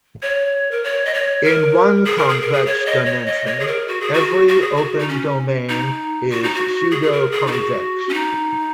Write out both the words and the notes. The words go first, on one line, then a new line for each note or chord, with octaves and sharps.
In one complex dimension, every open domain is pseudoconvex.
C#5
A#4
C#5
D#5
C#5
A#4
G#4
A#4
G#4
A#4
G#4
C#5
D#5
C#5
D#5
C#5
G#4
A#4
F#4
G#4
F#4
F#4
G#4
F#4
D#4
C#4
D#4
F#4
D#4
F#4
G#4
G#4
A#4
G#4
D#4
F#4
C#4
D#4